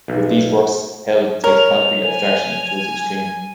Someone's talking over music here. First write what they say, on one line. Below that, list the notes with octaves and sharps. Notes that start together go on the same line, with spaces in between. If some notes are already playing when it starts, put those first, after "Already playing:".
With these works Held takes concrete abstraction to its extreme.
B1
A#4 C#5 F7
G#5